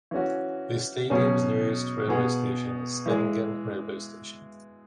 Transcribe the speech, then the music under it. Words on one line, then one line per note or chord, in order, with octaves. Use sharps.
The stadium's nearest railway station is Stellingen railway station.
E3 C#4 F#4
B2 F#3 C#4 G#4
B2 B3 G#4
E3 G#3 E4 G#4